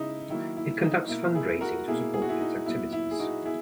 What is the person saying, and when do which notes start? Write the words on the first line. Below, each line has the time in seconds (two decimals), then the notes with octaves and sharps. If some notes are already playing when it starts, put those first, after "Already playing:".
It conducts fundraising to support its activities.
Already playing: C#3 G#3 D#4 E4
0.30 D#3 F#3 A#3 E4
0.57 E4
0.82 D#4
1.08 B2 A#3 E4
1.35 E4 G#4
1.61 F#4 A#4
1.87 B2 A#3 E4 G#4
2.14 G#4
2.22 F#4
2.29 E4 G#4
2.41 D#4
2.66 A#2 F#3 B3 E4
2.92 E4
3.11 G#4
3.19 D#4 F#4
3.45 B3 E4 G#4